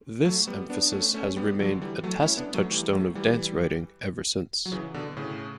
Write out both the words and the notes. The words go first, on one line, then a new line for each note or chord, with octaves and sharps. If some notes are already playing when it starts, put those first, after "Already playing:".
This emphasis has remained a tacit touchstone of dance writing ever since.
F#3 A3
G3 B3
B3 D4
D4
A3 C#4
A3 C#4
G3 B3
D3 F#3
E3 G3
F#3 A3
C#4 E4
B3 D4
F#3 A3
E3 G3
F#3 A3
E3 G3
F#3
C#3 E3
B2 D3
A2 C#3